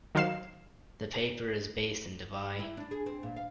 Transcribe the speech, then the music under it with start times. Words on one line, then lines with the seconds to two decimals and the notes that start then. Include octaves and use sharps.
The paper is based in Dubai.
0.15 D#3 F#3 C5 F5 C7 E7
2.59 E4
2.77 D4
2.91 G#4
3.06 C4
3.23 A#2
3.36 F5